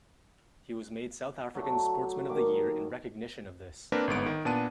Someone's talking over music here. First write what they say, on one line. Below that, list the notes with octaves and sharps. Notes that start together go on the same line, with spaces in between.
He was made South African Sportsman of the Year in recognition of this.
F#3 A3 D4
D#3 A#3 D6
A#3 C4 D4 A#4 B4
G1 G#2 B3 D7
D#3
A#2 B3 D4 A5 D#7